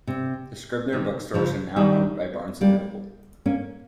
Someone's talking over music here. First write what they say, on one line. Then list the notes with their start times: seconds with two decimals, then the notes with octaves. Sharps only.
The Scribner Bookstores are now owned by Barnes and Noble.
0.07 C3
0.92 C3 D#3
1.34 C#3 F3
1.76 D#3 G3
2.61 G3 A#3
3.46 A#3 C#4